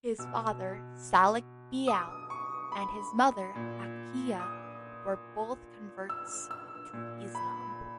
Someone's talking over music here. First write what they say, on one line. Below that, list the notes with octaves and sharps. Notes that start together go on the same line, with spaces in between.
His father Salek Beale and his mother Aquillah, were both converts to Islam.
B2 E6
D#6
C#6
B5
A#2
D#6
E6
E6
A#2
B5